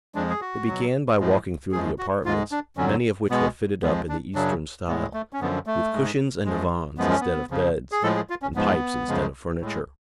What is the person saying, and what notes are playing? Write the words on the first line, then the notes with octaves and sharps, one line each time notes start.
They began by walking through the apartments, many of which were fitted up in the Eastern style, with cushions and divans instead of beds, and pipes instead of furniture.
F2 F3 G#3 D4
G#4
F#4
B2 F#3
A2 F3 G#3
F#2 F3 G#3 G#4
F#4
G#2 G#3 F4
D4
F2 D3 F#3 C#4
B2 G#3 B3
F2 F3 G#3 B3
D4
F#2 C#3 F#3 D4
A2 G#3 B3
A3
C#4
F#2 D3 F3 B3
A3
G#2 G#3
F#2 F3 G#3
F#2 F3 G#3 B3
C#4
B3
F2 C#3 F3
G#4
A2 F3 G#3 A4
G#4
F4
C#4
G#2 F3 G#3 B3
F#2 C#3 F3 G#3
A2 G#3